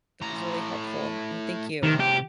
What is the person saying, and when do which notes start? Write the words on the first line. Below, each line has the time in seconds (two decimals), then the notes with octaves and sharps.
that was really helpful, and thank you
0.21 A2 A#5
1.83 A2 C3 D#3
2.00 G4